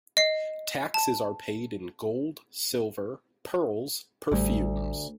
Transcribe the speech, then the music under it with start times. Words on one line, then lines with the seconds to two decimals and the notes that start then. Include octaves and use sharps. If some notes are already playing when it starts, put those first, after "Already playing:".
Taxes are paid in gold, silver, pearls, perfumes.
0.17 D#5 C7
0.94 A5
4.32 A1 D2 G3